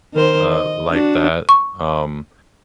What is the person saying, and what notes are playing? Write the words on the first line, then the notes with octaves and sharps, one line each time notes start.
uh, like that. Um,
D#3 A#4 C5
D#5
D4 F#4
C#6